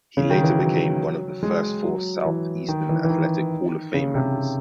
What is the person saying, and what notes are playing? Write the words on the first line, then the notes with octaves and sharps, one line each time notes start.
He later became one of the first four Southeastern Athletic Hall of Fame members.
C#3
D#3
E3
F#3
G#3
F#3
E3
D#3
E3
E3
D#3
C#3
C3